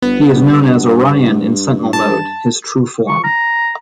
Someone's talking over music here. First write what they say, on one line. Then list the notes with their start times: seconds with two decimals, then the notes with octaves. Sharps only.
He is known as Orion in sentinel mode, his true form.
0.02 G1 B3
0.35 G2
1.93 A5
3.08 C#6
3.24 A#5